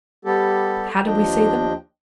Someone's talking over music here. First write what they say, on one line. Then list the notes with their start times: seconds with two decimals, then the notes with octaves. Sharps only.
How did we see them?
0.25 G3 B3 G4 A4
1.05 D#2 F3 D4 D#5 G5